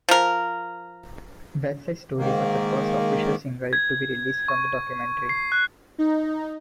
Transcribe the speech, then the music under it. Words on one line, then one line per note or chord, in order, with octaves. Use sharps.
"Westside Story" was the first official single to be released from "The Documentary".
F3 A#4
G#2 D#3 A#3
G#6
C#6
C7
F#6
D#4